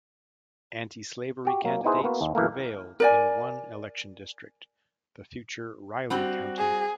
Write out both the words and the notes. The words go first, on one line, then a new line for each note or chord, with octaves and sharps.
Antislavery candidates prevailed in one election district, the future Riley County.
F#4 G4
F#3 A#3
B3 D#4 E4 G#4 B4 C5
A#3 B3 F#4
D#2
F#2 E3 A3 A#3
A#4 D5 G#5
G3 C4 F#4
G#4